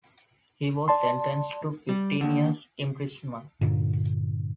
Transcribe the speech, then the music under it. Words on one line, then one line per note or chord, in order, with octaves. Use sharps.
He was sentenced to fifteen years imprisonment.
D5 A5 C6
G3
D#2 D3
G2 A#2 D3